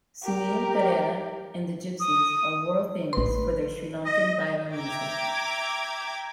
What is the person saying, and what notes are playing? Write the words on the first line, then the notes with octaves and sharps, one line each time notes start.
Sunil Perera and the Gypsies are world-famous for their Sri Lankan baila music.
G4 A#4
D#6
A1 B4 C6
D#5
E5 G5 A#5 D6 G#6